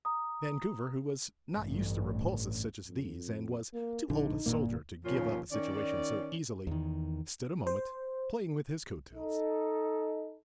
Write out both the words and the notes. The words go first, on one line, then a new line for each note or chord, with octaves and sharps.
Vancouver, who was not used to repulses such as these, and was too old a soldier to give up a situation so easily, stood a moment playing with his coat tails.
A#5 D#6
A1 G2
F2
A#3
A#1 D3 D#4
G1 A#2 A#3
D#2 A#2 C#3 F3 F4 C#5
D#3 C#4 D5
E2 D#3
C5
D#4 A4